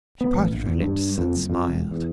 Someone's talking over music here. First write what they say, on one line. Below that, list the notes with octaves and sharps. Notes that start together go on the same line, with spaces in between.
She parted her lips and smiled.
B3
A1
A#1
E2
G2
F2
F#1
F2
E1
E2